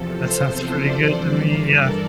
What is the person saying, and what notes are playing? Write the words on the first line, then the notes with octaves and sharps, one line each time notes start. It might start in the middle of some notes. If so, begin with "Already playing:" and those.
that sounds pretty good to me, yeah.
Already playing: E2 C3 F3 A4
C5
D5
G2 E3 D5
A#4
A4